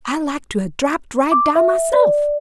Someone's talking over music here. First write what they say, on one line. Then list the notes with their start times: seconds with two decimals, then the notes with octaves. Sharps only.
I like to 'a' drapped right down myself!
1.32 D6
1.56 E5
1.93 D5